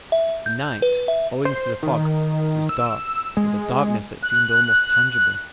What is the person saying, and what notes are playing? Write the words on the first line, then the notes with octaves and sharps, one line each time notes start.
The night, owing to the fog, was dark with a darkness that seemed almost tangible.
E5
G6
B4
E5
C5
D#3
E6
G#3
F#6